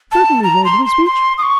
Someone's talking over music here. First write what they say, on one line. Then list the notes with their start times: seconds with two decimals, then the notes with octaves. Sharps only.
"Certainly, Lord Wisbeach."
0.12 A5
0.44 A#5
0.65 C6
0.85 C6
1.06 C6
1.38 D#6
1.43 C#6